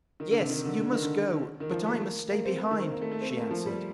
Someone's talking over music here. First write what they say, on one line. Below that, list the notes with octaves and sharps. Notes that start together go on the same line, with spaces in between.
'Yes, you must go; but I must stay behind,' she answered.
D#3
D3
C3
D#3
D3
D3
D#3
D3
D#3
F3
A3
A#3
A#3
C4
A#3
D#3
C4
A#3
A3
A3
C4
A3
A#3
F3
G3